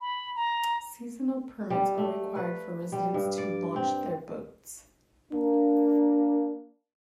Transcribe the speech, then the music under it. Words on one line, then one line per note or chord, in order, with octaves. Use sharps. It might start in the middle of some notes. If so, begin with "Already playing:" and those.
Seasonal permits are required for residents to launch their boats.
B5
A#5
G3
A3
B4
G3
G2
D5
C4
A#3 D4